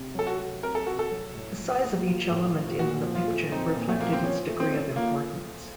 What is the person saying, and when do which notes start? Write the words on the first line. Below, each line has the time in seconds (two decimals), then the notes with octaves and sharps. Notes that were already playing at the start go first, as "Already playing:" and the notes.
The size of each element in the picture reflected its degree of importance.
Already playing: C3
0.15 F#3 A4
0.27 F#4
0.39 A3
0.63 C3 A#4
0.75 A4
0.87 C3 F#4
0.99 A4
1.11 F#3
1.35 A2
1.59 F3
1.84 A#3
2.07 F4
2.31 A2
2.55 F3
2.79 A#2 F#4
3.03 F3
3.15 F4
3.27 A3
3.52 C4 D#4
3.76 A#2
3.89 A3
4.00 F3 A#3
4.13 C4
4.23 F3 C#4
4.48 A3
4.60 C4
4.73 C#4
4.96 A#3 F4